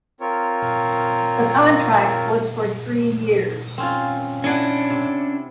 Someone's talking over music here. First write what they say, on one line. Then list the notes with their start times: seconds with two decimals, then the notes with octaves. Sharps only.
The contract was for three years.
0.20 C4 F4 A#4 C#5
3.78 C4 C#4 F4
4.44 C#4 D4 E4 D#5 F#5
4.90 C3